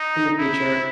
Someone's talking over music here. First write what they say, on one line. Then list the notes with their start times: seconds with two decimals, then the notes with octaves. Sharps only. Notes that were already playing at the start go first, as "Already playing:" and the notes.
in the future,
Already playing: D#4
0.39 E4